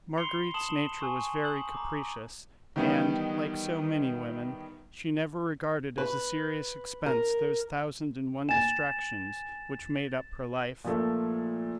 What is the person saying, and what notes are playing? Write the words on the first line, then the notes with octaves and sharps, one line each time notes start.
Marguerite's nature was very capricious, and, like so many women, she never regarded as a serious expense those thousand and one distractions which made up her life.
B5 C6 C7 C#7 F7 G7
A5 D#6 E7 F#7
G#5 C#6 D#6
D#6 G6 F#7
A#5 D6
D#3 E3 G3 B3 D#4
B4
A#4
G#5 A6 E7
A#2 F3 A3